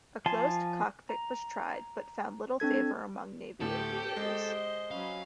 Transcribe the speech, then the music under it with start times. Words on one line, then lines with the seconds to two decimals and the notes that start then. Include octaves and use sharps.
A closed cockpit was tried but found little favor among Navy aviators.
0.26 F3 F5 G#5 A5 C6
1.09 A#5
2.60 C4 D4 A4 G#6
3.61 D2 A2 A3 G4 A4 G5
4.16 G#3 C5 D#5
4.91 F#3 C#4 F5 B5